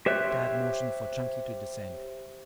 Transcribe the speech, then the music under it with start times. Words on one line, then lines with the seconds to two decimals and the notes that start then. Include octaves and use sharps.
Tad motioned for Chunky to descend.
0.06 G4 C5 C#5 E5 F#6